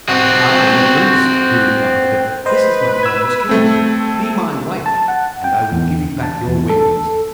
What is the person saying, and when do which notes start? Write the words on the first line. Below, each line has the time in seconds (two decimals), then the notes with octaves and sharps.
"I am a prince," he replied; "this is my father's kingdom; be my wife, and I will give you back your wings."
0.09 C4 F#4
2.46 B4 C5 D#5
3.03 E6 G#6
3.49 A3 C4 A4
3.88 A4
4.86 A5
5.08 F#5
5.44 G5
5.72 E2
6.23 A5
6.48 E2
6.70 A4